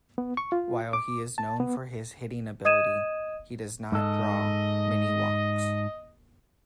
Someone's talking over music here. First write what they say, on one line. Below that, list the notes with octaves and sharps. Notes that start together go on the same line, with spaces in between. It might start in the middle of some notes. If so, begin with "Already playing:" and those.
While he is known for his hitting ability, he does not draw many walks.
B3
C#6
F4
D6
A5
B3
D#5 D#6 G#6 D#7 E7
G#2 A4 D#5